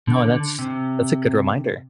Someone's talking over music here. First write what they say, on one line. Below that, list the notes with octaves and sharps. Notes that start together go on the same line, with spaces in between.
No, that's that's a good reminder.
D3
C3